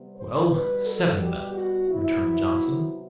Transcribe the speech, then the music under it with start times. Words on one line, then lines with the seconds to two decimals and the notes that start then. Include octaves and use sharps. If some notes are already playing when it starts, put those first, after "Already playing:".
"Well, seven then," returned Johnson.
Already playing: C3 G3 B3
0.17 C5
0.52 B2 G3 B3 B4
0.86 A4
1.21 G4
1.54 F#4
1.89 C3 F#3 B3 E4